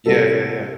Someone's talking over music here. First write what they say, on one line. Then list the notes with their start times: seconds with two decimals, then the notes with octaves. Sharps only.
Yeah, yeah, yeah.
0.06 C2 C3 G3 A4